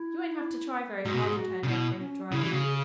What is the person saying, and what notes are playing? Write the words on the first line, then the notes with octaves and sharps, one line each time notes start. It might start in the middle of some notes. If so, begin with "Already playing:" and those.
"You won't have to try very hard," returned Elfreda dryly.
Already playing: E4
G#2 F#4
B2
G#2
G#4
F#4
C#3
B2 E4
C#4
C#3 E4
E3
F#4
C#3
G#4